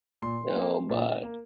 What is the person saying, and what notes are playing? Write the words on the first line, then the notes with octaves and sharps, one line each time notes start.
Oh, my,
A#2 C6
A#3
A#2
A#3